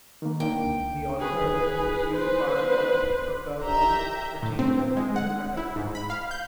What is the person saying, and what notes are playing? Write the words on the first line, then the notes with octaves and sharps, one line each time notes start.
He also has a two-seam fastball, a curveball, a changeup, and a cutter.
D#3 A#3
A#3 D4 D#4 G5
C#2
G#4 B4
B4 C5
G4 E5 A#5 G6
A2
C4
G#3
F#5
E4
G#2
B5
F5
G6